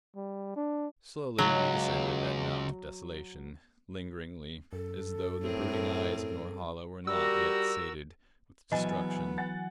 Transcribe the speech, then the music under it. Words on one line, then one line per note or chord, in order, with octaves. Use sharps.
Slowly we descended that mount of desolation; lingeringly, as though the brooding eyes of Norhala were not yet sated with destruction.
G3
D4
C#2 F#3
F#2 A4
A2 C4 G#4 A#4
G3 F#4 G4 A#4 E6
A#1 E3 F#3 B3 D#5 G#5 A6
F#5 G#5 A6